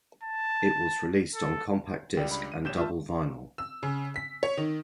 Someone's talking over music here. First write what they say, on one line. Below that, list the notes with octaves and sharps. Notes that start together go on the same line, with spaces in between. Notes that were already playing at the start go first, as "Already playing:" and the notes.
It was released on compact disc and double vinyl.
A5
A4
C#2 G3 G4 D5
D4 B5
D#7
A#1 G4 B4 C#5 G6 E7
F4 E5 A5
E6
C#3
B6
C#5
D#3